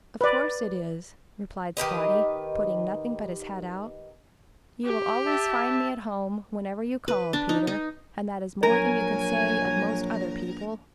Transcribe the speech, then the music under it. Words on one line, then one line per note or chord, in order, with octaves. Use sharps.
"Of course it is," replied Spotty, putting nothing but his head out, "You will always find me at home whenever you call, Peter, and that is more than you can say of most other people."
B4 D5
D#3 G4 B4 D#5
G4
E5 A5
B4
D4
D#4
D#4
A#1 F#3 A#4 G#5